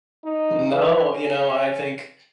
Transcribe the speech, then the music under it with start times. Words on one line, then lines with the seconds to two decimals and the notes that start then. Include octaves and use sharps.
N no, you know, I think
0.24 D#4
0.71 E3
1.11 C#4